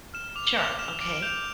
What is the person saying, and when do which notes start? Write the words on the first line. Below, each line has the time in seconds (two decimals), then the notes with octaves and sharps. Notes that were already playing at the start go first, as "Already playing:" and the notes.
Sure. Okay.
0.14 F6 E7
0.36 D6 F7
0.58 F6 F7
0.79 F6 E7
1.00 D6 D7
1.22 G6 F7
1.38 F7